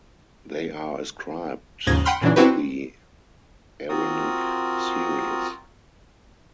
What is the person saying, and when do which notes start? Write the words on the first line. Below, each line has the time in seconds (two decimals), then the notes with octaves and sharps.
They are ascribed to the Arenig Series.
1.87 D#2 G#2 C#3 F3 G#6 A#6
2.05 F#5 G5 B5 C6 F6
2.21 A#2 C#3 E3 F#3 D4
2.36 C4 D4 E4 F#4 G4 B4
3.89 C4 F4 F#4 A#4 D#6